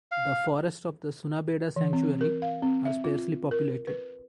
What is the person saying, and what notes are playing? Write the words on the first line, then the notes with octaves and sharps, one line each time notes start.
The forests of the Sunabeda Sanctuary are sparsely populated.
F5
E3
C4
A#4
F5
C4
E5
F4
A#4
B4